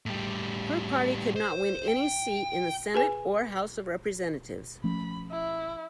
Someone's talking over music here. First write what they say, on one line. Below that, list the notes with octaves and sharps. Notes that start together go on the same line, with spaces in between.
Her party could not win any seat in the Senate or House of representatives.
A2 G3
C5
G5
G#4 B4 G#5
F3 A3 C#4 B5
E4